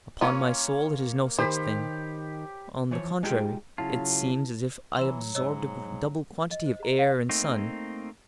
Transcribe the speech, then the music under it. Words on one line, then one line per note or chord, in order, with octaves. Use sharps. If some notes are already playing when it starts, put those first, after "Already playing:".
Upon my soul, it is no such thing, on the contrary, it seems as if I absorbed a double quantity of air and sun.
A#3 C#4 F4 C#5
D#3 G4 C5 B5
E3 F3 C#5
G#3 D#4 F4 G4 G5
C#3 F#3 E4 F4 A5
E3 F#3 C6 E6 E7
G#2 C#5 D#5 E6
D#5
C5
A#5
F5
A3 A#3 C4 D#4